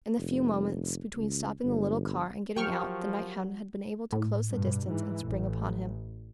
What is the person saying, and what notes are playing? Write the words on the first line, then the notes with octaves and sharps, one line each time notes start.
In the few moments between stopping the little car and getting out, the nighthound had been able to close the distance and spring upon him.
F1
C#2
G1
F3 F#3 G4 A#4 G5 C#6 F6
A2
G2 B2
G#2 E3
A1